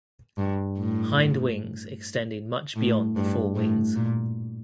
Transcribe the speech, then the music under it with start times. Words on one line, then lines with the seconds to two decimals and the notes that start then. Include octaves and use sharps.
Hind wings extending much beyond the fore wings.
0.38 G2
0.79 A2
2.76 A2
3.16 G2
3.56 A2
3.95 A#2